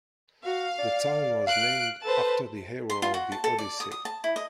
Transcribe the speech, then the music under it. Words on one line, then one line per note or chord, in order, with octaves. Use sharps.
The town was named after the hero of the "Odyssey".
F#4 F5
D5
F5 F#6 D7
A4 B4 C5 A5
C6
F4
F#4
A5
A4
D5
D#6
D#6
A5
E4
D#5